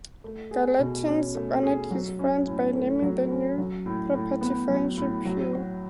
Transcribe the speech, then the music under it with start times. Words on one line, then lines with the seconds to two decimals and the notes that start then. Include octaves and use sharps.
Gallatin honored his friends by naming the new property Friendship Hill.
0.24 A3
0.51 G#4
0.79 B2
1.07 C#4
1.35 A3
1.63 G#4
1.91 F#3
2.19 C#4
2.47 A2
2.75 A3
3.02 F#3
3.30 C#4
3.58 F#3
3.86 A2
4.14 A2
4.41 B3
4.69 F#3
4.97 A2
5.25 F#3
5.53 F#4